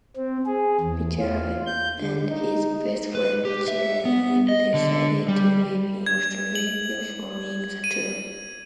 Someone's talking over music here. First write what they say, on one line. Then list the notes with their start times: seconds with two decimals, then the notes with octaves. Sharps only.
Michael and his best friend then decided to live in Australia following the tour.
0.16 C4
0.46 G#4
0.80 E2
1.19 F4
1.67 G6
2.00 D3
2.30 D#4
3.15 B4
3.45 G4
3.68 E5
4.05 B3
4.49 D#5
4.74 D3
5.28 G3
6.06 G#6
6.55 F#7
7.84 D#7